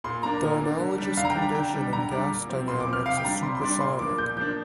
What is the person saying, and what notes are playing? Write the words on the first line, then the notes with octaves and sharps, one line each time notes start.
The analogous condition in gas dynamics is supersonic.
A#2 C6
A#3 D4 A#5
A#2
A#3 D4
D3
G3 D4
D3 F5
A#5
G5
G3 D4
A#5
D3 G5
G3 D4
D3 A#5
G3 D4 D6
A#2
F3 C4
A#2 C6
D6
F3 C4
F6
C3 F5
G5
G3 D4 A#5
C3 C6
C6
G3 D4 D6
A#2 C6
F3 A#3 D4 D6
A#2 G6
F3 A#3 D4 G6